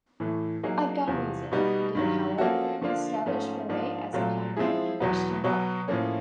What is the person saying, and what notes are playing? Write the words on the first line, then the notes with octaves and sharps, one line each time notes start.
"I've Got a Reason" did, however, establish Furay as a pioneer in Christian Rock.
A2 E3 A3
F#3 A#3 D#4 G#4
E2 C3 F3
B2 G3 B3 D#4
G2 D#3 F#3
F3 A#3 C#4 F#4 A4
D3 F3 A#3 D4 F4
G#2 F3 A3 C#4
G#2 F3 A#3 D4
A#2 F#3 A3 C4 F4
F3 G#3 C4 E4 G#4
E2 B2 F#3 B3
B2 F#3 B3
A2 F3 A#3 C#4